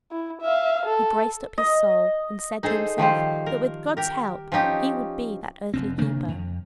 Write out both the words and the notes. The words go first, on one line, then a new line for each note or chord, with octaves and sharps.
He braced up his soul, and said to himself, that with God's help he would be that earthly keeper.
E4
E5 F5
A4
D#5
D#4 G#4 A4 C5
D#3 F3 G3 C5
A#4
G4 A#4
F3 C#4 D#4 G4
F1 F#2 C4
C3 D#3 A#3 D4
F2